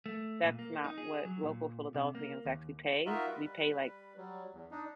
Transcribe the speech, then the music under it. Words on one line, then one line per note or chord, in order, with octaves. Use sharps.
That's not what local Philadelphians actually pay. We pay, like,
A3
A#2
A#3
D#4
G#4
F#3
A#2
C3
A#3
D#2
D#4 F4 F#4 A#4 D#5 E5
G3 B4
F#3 G3
E2
D4 D#4